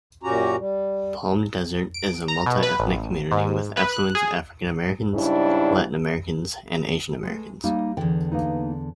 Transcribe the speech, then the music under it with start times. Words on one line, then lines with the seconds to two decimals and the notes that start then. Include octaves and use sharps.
Palm Desert is a multi-ethnic community with affluent African-Americans, Latin Americans and Asian Americans.
0.23 F#2 A#2 C#4 F#4 G4 A#5
0.58 G3
1.94 D7
2.28 A#5
2.46 B2
2.63 B4
2.79 A1
3.32 G#2
3.77 B4
3.93 F#6
4.15 G#4
5.14 G#2 C#3 G3 D4 E4
7.23 G#3 A3
7.64 G3 A#3 D#4
7.97 E2 D3 G5
8.32 A#3 B3 D#4